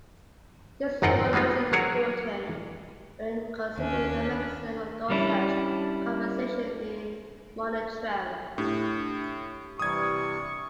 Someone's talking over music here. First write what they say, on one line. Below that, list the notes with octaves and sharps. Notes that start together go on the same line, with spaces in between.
This homology is important when considering the mechanism of dosage compensation in monotremes.
G#1 F#2 D#4 F4 F#5 G5
G3 G#3 A#3 D#4 F4
F#3 F#4 G#4 A#4 C#5 F#5
D#2 C#4 D4
G3 C#4 D4 E4
A2 D4 G4
C3 E3 G3 C#6 D#6 G#6